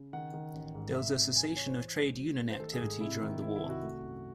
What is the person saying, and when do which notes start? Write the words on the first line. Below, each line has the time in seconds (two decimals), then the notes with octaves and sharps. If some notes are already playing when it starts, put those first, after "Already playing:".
There was a cessation of Trade Union activity during the war.
Already playing: C#3
0.13 D#3 F#5
0.34 D#3
0.54 A1
0.75 G#2
0.95 C3 E5
1.16 C3
1.36 E3 G#5
1.46 G#5
1.56 E3 C#5
1.67 C5
1.78 E3
1.98 G#3
2.19 F#3
2.39 A3
2.51 C5
2.60 D#3 A4
2.73 G#4
2.80 G#2
3.00 C3 E4
3.21 D#3
3.42 D#3 E4
3.56 E4
3.62 C2
3.69 F#4
3.82 A3
4.03 F#2